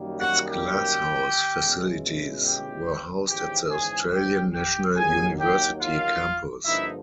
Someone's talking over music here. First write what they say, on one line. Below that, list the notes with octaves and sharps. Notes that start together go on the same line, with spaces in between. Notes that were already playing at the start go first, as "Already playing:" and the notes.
Its glasshouse facilities were housed at the Australian National University campus.
Already playing: F#2 D#3 G3 A#3
F#4 F#5
G4 G5
B2 G#3 C#4 E4
G4 G5
G#2 E3 G#3 C#4 G4 G5
G#4 G#5
G4 G5
G4 G5
D#2 D#3 F#3 A#3 G#4 G#5
G4 G5
F4 F5
G2 D3 F3 A#3 D#4 E4 E5